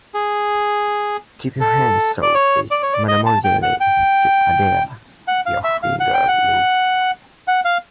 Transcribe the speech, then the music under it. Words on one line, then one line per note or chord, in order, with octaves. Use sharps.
"Keep your hands so, please, mademoiselle," said Adele; "your fingers loose."
G#4
A4
D5
C#5
D5
C#5
D5
D#5
A5
G5
F#5
G5
F#5
F5
E5
F5
F#5
G5
F#5
F#5
F5